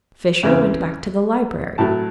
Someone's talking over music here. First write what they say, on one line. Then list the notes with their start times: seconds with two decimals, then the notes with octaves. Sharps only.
Fisher went back to the library.
0.43 E2 C#3 E3 C4
1.78 A2 F#3 A3 A5